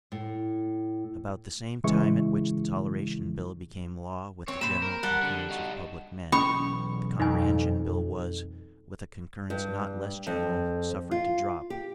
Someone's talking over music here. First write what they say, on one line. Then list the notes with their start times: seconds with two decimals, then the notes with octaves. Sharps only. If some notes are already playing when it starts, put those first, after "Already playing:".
About the same time at which the Toleration bill became law with the general concurrence of public men, the Comprehension Bill was, with a concurrence not less general, suffered to drop.
0.12 A2
1.84 A2 C#3 E3 G#3 E4 C#6
4.48 C4 C#5
4.61 A#2 C5 B5 E7
4.82 A#4
5.03 G3 F#5 A5
5.23 D3
5.50 D#4 F#4
6.32 B1 E2 C#4 B5 C#6 D#6
7.20 F2 D#4 G#5
9.50 G2
10.27 F2
11.11 F4
11.70 G4